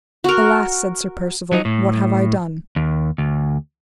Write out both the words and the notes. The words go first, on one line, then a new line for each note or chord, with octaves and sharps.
Alas, said Sir Percivale, what have I done?
F#4 A#4
F#3 D#4
A2
D#2
D2